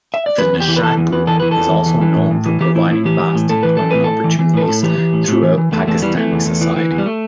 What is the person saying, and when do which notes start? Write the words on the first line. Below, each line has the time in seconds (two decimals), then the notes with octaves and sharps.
The Nishat Group is also known for providing vast employment opportunities throughout Pakistani society.
0.14 E5
0.26 D5
0.38 E2 B4
0.53 E2
0.60 G4
0.68 E3
0.76 B4
0.83 E3 A4
0.97 E2
1.12 E2 B4
1.27 E3 A4
1.40 E3 B4
1.51 A4
1.57 E2
1.72 E2
1.86 E3
2.01 E3
2.16 A2
2.31 A2
2.46 E3
2.61 E3 G4
2.75 A2 E4
2.90 A2 E4
3.05 E3 G4
3.20 E3
3.35 A2
3.49 A2 A4
3.63 E3 B4
3.77 E3 A4
3.91 A2 B4
4.04 A2 A4
4.24 E3
4.39 E3
4.54 A2 B4
4.61 A4
4.68 A2
4.83 E3 G4
4.98 E3
5.13 A2
5.28 A2
5.43 E3
5.58 E3
5.72 E2 A3
5.87 E2 A3
6.02 E3 G3
6.17 E3 A3
6.32 E2
6.46 E2
6.61 E3
6.76 E3
6.91 E2
6.98 G3
7.06 A3